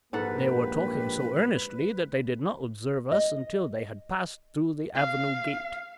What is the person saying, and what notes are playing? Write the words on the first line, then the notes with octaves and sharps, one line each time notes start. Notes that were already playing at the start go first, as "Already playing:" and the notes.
They were talking so earnestly that they did not observe us until they had passed through the avenue gate.
A#1 G#2 A#3 G4 A4 B4 F#5
D#5
F5